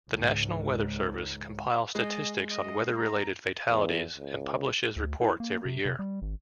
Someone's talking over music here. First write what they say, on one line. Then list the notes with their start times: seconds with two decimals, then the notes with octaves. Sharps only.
The National Weather Service compiles statistics on weather-related fatalities and publishes reports every year.
0.11 C#2 G#2
1.95 G#3 D#5
2.51 D#5
2.97 A#5
3.70 E2
4.17 C#2
4.96 D2
5.20 E4
5.40 A#3
5.65 C3
5.85 C3
5.99 G3
6.22 G#1